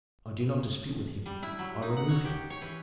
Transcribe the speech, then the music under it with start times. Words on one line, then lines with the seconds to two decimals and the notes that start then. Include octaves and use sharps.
"I do not dispute with him; I remove him."
1.26 G3
1.43 E4
1.58 F#3
1.82 D#4
1.97 F#5
2.09 C#5
2.25 G4
2.50 C#5
2.62 E3